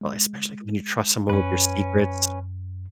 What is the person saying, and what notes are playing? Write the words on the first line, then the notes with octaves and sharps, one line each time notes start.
well, especially when you trust someone with your secrets.
G#3
F#2 C#4 B4